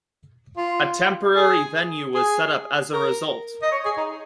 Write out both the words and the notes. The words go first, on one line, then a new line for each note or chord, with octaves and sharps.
A temporary venue was set up as a result.
F4
G#4
G#4
A#4
D#5
C#5
G#4
D#4